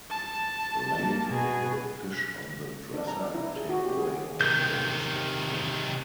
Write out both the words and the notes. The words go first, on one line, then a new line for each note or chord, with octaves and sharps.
Lay the fish on the dresser and take away all the bones and fins.
A5
A#3
B2 G#4
D4
A#5
D5
E4
G#4
F#4
G4
G#4
C3 D#3 G6